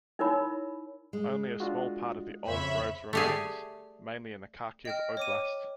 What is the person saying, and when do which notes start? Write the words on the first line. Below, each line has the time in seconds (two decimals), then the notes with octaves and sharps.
Only a small part of the old groves remains, mainly in the Kharkiv Oblast.
0.19 D#4 E4 A#4 C#5 B5
1.13 G#3
1.60 D4 F4 F#4
2.48 F2 C#3 C5 C#5 E5 B5
3.13 A3 G4 G#4 D5 E5
4.85 D#5 G5 F6
5.17 C#5 D6 D#7